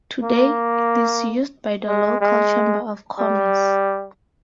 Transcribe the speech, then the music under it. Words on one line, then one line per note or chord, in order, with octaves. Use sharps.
Today it is used by the local chamber of commerce.
A#3
G#3
G#3
G3